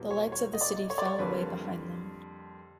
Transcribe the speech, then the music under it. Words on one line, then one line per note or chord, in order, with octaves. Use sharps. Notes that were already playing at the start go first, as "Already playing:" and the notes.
The lights of the city fell away behind them.
Already playing: E2 B2 G3 A#3
C#5
C#5
D#5
D5
C#5
D5
C#5
F2 D3 G3 A#3 B4